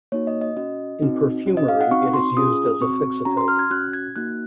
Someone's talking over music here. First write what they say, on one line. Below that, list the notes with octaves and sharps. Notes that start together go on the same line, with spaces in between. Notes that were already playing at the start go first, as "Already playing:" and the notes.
In perfumery it is used as a fixative.
A#3 D#4 F#4 C#5
D#5
D#5
C#4 F#4 D#5
C4 D#4 F#4
C#4 F#4
D#5
F5
F#5
C4 D#4 F#4 C#6
C6
C#4 F4 G#4 D#6
C4 F#4 C#6
C#4 F#4 A#5
C6
F6
G#6
C#4 F#4 F#6
G#6
A#3 D#4 F#4 F#6